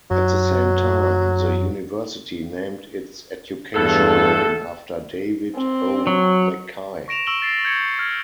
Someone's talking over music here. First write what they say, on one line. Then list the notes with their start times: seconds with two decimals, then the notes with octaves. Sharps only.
At the same time, the university named its education building after David O. McKay.
0.11 F#2 F#3
3.74 E2 G2 B2 A3 A4
5.56 C4
6.07 F#3
7.08 C#6 A#6 D7 E7 F7
7.27 C#6 E6 D7 E7 F#7 G7
7.42 A6 C7 D7
7.65 G6 G#6 C#7
7.99 F6 G#6